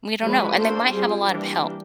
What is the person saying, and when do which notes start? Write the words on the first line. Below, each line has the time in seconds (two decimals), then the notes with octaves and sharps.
We don't know, and they might have a lot of help
0.23 F3 G#3 C#4 F#4 B4
0.58 A#3 D4 F#4 A4 C5
0.94 G3 C4 F4 G#4
1.29 E3 G3 A#3 D4 G4